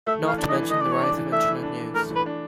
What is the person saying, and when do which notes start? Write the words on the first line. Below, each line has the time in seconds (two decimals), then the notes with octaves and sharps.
Not to mention the rise of Internet news.
0.07 A3 E5
0.22 E3
0.28 F5
0.38 D4
0.49 D#5
0.53 E3
0.70 A3 D#5
0.81 E3 D5
0.92 C#5
1.01 D4 D5
1.17 E3
1.32 A3 E5
1.48 E3
1.63 D4
1.79 E3
1.94 A3 A#4
2.10 E3
2.15 B4
2.26 D4